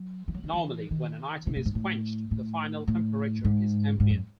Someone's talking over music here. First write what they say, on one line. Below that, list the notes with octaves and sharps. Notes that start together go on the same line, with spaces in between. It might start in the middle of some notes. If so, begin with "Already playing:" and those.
Normally, when an item is quenched, the final temperature is ambient.
Already playing: F#3
E3
F#3
D#3
E3
D#3
C#3
A2
G#2
A2
A2
A2
G#2
G#2
F#2